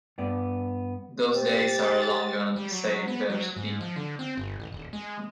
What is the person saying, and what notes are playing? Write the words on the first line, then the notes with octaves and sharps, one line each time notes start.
Those days are long gone, said Bertschi.
G2 B3 D5
G4 C5 A6
G3
F#3
B3
F#3
G#2
F3
D3
C4
G1
A1
D#1
G#3